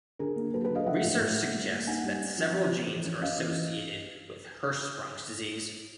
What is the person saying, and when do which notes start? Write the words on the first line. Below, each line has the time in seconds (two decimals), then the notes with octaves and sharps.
Research suggests that several genes are associated with Hirschsprung's disease.
0.19 D3 G#4 A#4
0.36 A#3
0.54 F#3 A4 B4
0.64 A4 B4
0.70 D3
0.76 D#5 F5
0.86 F3 E5 F#5
1.03 A2
1.20 A2
1.37 A3
1.54 G3
1.71 A#3
1.87 D#4 F#5 G#5
2.04 G3
2.21 C#4
2.38 F3
2.54 F3
2.71 F3
2.88 E3
3.05 C#4
3.22 C#4 D#5 F5
3.38 E3